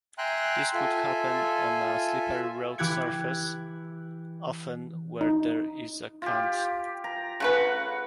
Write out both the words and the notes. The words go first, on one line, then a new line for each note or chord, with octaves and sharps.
This could happen on a slippery road surface, often where there is a cant.
E5 G5 G#5 A#5 C6 F#6
F4 A4 E5 G#5
E3 E4 G4 F#6 G#6 C#7
D#4
F4 G4
A#5
C#3 A3 B4 F#5